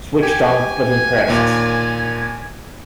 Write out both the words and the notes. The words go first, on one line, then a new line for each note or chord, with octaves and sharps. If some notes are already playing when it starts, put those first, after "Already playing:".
Switch down, button pressed.
G4 G#5
D#2 A#2